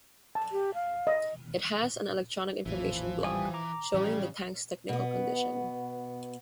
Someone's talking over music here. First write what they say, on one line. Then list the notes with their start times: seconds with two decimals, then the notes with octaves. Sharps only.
It has an electronic information block showing the tank's technical condition.
0.35 A5
0.52 G4
0.74 F5
1.07 D#5
2.66 A1 E2 A#2 E3 F3
3.24 G3 G#5 D#6
3.54 A#5 D6
3.94 A2 C#3 E3 F3 G3
4.89 B2 B3